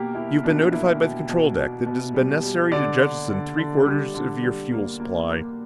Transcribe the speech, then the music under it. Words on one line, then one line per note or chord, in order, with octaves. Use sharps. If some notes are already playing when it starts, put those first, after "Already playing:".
You have been notified by the control deck that it has been necessary to jettison three quarters of your fuel supply.
Already playing: B2 A#3 G4 A#4
A#3 E4
B2 D4
A#3 E4
B2
B2
B2
B2
G3
G3
D3 D5
D3
D3
D3
G3
D3
G3
A#3
A#3
A#3